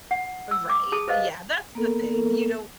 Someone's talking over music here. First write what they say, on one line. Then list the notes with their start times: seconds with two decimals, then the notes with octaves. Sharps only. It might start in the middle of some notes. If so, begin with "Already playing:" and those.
Right, yeah, that's the thing, you don't
0.11 F#5
0.51 E6
0.69 D6
0.92 G#4 A5 D#6
1.08 B4 C5 D#5 F5
1.75 A#3 B3 A4 A#4